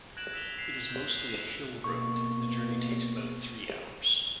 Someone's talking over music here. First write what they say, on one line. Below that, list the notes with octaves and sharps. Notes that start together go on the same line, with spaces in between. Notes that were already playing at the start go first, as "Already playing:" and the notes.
It is mostly a hill road and the journey takes about three hours.
F#6 G#6 A#6 D7 E7 F#7
E6 G#6 B6 E7 F7 G7
B6 C7 E7 F7
G6 E7
B6
B2 A#3 C#6